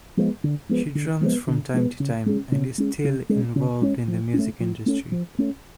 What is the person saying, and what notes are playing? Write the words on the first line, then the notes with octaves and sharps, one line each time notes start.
She drums from time to time and is still involved in the music industry.
F3 G#3 B3
D3
F3 G#3 B3
D3
F3 G#3 B3
D3
F3 G#3 B3
C#3
G#3 C#4
C#3
G#3 C#4
C#3
G#3 C#4
C#3
G#3 C#4
F3
A3 C#4
F3
A3 C#4
F3
A3 C#4